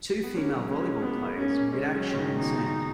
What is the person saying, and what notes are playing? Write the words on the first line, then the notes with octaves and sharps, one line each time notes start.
Two female volleyball players midaction in the sand.
B3
A#3 C#4
G#3
F#3
A#3 C#4
G#3
A#3 B3
C#4
A#3
G#3 C#4
F#3
C#3
D#3
A#2
B2 D#4